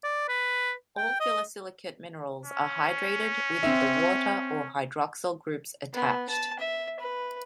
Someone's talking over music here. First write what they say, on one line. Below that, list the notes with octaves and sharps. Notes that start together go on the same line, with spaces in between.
All phyllosilicate minerals are hydrated, with either water or hydroxyl groups attached.
D5
B4
G5
D#5
C#4
C4 E5
B3
A5
E5
B4